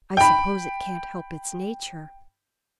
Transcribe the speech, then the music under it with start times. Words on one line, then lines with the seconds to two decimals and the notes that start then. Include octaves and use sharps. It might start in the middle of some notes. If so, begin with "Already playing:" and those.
I suppose it can't help its nature.
0.17 G5 B5